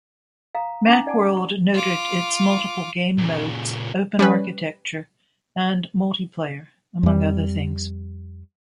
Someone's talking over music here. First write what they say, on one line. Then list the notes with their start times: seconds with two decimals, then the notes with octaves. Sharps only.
Macworld noted its multiple game modes, open architecture, and multiplayer, among other things.
0.55 F5 A#5 D#6
0.86 C#4 D#4 A#5 D6
1.06 D#4 D5 F#5 G#5 A5 D6
1.37 B5
1.74 F4 D6
3.18 A#2 C#3
4.19 G3 C#4 B4
7.03 F2 G3